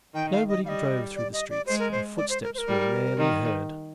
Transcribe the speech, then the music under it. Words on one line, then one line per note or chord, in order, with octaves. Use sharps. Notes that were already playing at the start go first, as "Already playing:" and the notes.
Nobody drove through the streets and footsteps were rarely heard.
D#3 G5
F5
D#5
G3 D#5 F5
D5
D#5
D5
G#3 C5
A#4
C5
D5
C5
A#4
C5
A#4
G3
D#3